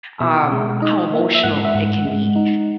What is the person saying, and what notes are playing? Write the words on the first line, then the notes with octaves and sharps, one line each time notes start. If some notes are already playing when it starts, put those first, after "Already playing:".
um, how emotional it can be,
B2 E5
G#3
D#4 D#5
A#3 E5
E5
G#2 F#5
E5
G#2 F#5
G#3
D#4